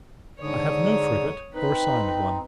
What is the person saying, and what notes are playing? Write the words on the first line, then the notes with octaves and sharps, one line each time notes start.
I have no frigate, or a sign of one.
G#2 D3 C#5 D#6
C4 D#4 B4